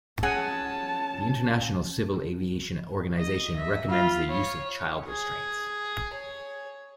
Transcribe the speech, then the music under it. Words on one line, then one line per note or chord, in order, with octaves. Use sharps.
The International Civil Aviation Organization recommends the use of child restraints.
C#4 G#4 F#5 G#5 A5
D#5
E5
F4 B5
C#5
G#4
C#5